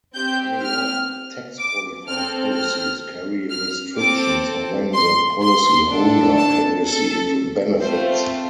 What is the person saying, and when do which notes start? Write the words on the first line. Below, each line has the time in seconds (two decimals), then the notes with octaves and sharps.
By law, tax-qualified policies carry restrictions on when the policy holder can receive benefits.
0.15 C4 G4 G6
0.63 F6
1.58 D6
2.07 C4 A4 F6
2.55 F6
3.50 F6
3.99 C4 A4 D6
4.94 C6
5.42 C6
5.90 D4 A4
6.38 A5
6.86 A4
7.81 A3 C4 F4 C5